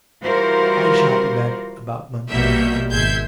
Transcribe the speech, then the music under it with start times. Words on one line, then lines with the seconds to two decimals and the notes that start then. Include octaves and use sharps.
I shall be back about lunch time.'
0.23 E3 G3 F4 F#4 A#4 C5
2.30 A#1 B2 G3 A#3 E5 G6
2.90 G#1 G#3 E5 G6 G#6 C7